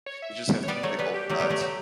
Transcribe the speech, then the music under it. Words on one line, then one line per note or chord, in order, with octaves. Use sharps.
you just have to play both sides.
C#5
E5
C#5
G3 B3 D5
F#3 A3 C#5
G3 B3 B4
G4
F#3 A3 G4
G3 B3
F#3 A3
F#3